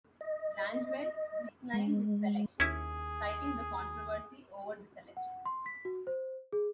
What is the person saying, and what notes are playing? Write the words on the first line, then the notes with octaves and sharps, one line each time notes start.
Langeveldt declined his selection, citing the controversy over the selection.
D#5
G#3
D#2 C#4 E4 G#4
F#5
C6
B6
F#4
C5
G#4